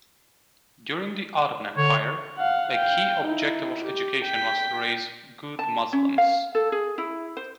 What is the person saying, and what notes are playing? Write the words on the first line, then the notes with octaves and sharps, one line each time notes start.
During the Ottoman Empire, a key objective of education was to raise 'good Muslims'.
D3 C#5
F5 F#5
F5 G5
D#4 E4
G4
G5 B6
A5
C#4
F5
A4
G#4
E4
C5